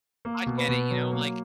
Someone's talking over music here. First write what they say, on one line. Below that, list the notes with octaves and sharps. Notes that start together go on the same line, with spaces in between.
I get it, you know? Like,
A#3
B2
B4
B2
F#3
A#3